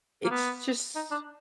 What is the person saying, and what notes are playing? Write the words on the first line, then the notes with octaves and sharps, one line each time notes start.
it's just
A#3
B3
D#4
D4